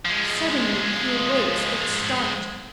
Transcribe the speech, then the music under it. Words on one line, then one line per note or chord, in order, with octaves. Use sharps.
Suddenly he awakes with a start.
F3 G#3